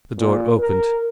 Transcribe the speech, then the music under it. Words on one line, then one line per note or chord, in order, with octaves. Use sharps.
The door opened.
A#2
A#4